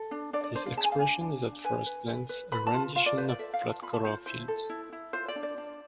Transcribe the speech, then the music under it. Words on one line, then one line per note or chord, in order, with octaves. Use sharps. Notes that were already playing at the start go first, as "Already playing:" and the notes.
This expression is at first glance a rendition of flat color fields.
Already playing: A4
D4
D4 D5
D5
D4 C5
F5
G#4 A5
G#5
F5
D4 G#5
D4
D4
B4 G#5
B4
B4
B4
B4 B5
A5
F4
F4 F5
D5
B4 C5
D5
A4 E5
F5
F4
A5
F4 B5
A5
F4 C5
E4 C5
A4
E4
E4
F4 C5
D5
D4
D5
D4